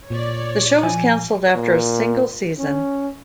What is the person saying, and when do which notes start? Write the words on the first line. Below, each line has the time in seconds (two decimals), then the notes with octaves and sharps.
The show was canceled after a single season.
0.10 A#2 C#5 D5
0.83 F3 G#5
1.55 A#2
2.58 C#4